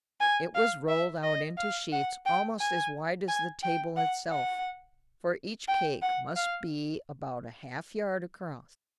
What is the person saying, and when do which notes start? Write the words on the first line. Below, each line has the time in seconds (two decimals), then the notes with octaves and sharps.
It was rolled out into sheets almost as wide as the table itself, for each cake must be about a half-yard across.
0.21 G#5
0.55 F5
0.88 E5
1.23 D#5
1.57 F5
1.92 F#5
2.26 G5
2.60 G#5
3.28 G#5
3.63 G5
3.97 F#5
4.31 F#5
5.68 G5
6.02 F#5
6.36 F5